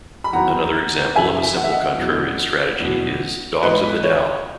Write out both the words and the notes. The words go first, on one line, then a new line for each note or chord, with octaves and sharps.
Another example of a simple contrarian strategy is Dogs of the Dow.
B5
E2 D#3 F#3 F#5 A#5
F#2 C#3 E3 E5 G#5
F#5
E5
D#5 F#5
E2 B2 F#3
E2 B2 F#3
G#2 E3 B4 D#5
C#5